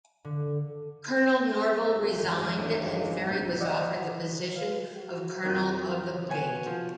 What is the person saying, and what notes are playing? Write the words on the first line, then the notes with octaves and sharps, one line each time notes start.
Colonel Norvell resigned and Ferry was offered the position of Colonel of the Brigade.
D3
G#1 C#3
F#2
E2 G2 F#3
A#1 A#3 G6
D5 D#5 F#5 E6
B4 F5
F#4
F2 D#3
B2 C#5 F#5 G#5
F3